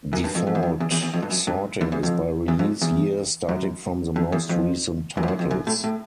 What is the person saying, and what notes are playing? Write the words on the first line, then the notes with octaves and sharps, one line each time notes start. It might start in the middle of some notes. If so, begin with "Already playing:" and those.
Default sorting is by release year, starting from the most recent titles.
F#2
G2
F2
F2
E2
F2
E2
E2
E2
F2
G2
F#2
G2
E2
E2
F2
E2
F2
E2
F#2
F2
E2
F2
F#2
F2
F#2
F2
F#2
A2
A2